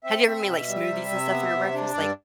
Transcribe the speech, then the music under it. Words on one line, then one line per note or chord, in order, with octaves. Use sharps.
Have you ever made, like, smoothies and stuff for your breakfast, like
C4 E5
C4
B2
G3
C3
C3
B3
C3
D4
G2 D5